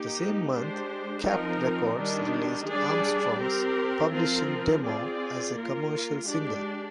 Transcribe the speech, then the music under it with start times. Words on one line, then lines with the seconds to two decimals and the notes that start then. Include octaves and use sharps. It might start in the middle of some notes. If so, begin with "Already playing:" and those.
The same month, Kapp Records released Armstrong's publishing demo as a commercial single.
Already playing: A#3 D#4 G4
0.53 G#3 D4 G4 C5
1.24 F3 C4 D#4 A#4
1.97 D#3 G3 D4
2.68 G3 D4 G#4 D5
3.40 C4 G4 A#4
4.11 F3 C4 F4 A#4
4.84 C4 F4 G#4 D5
5.55 A#3 F4 A#4
6.26 G#3 D4 G4 D5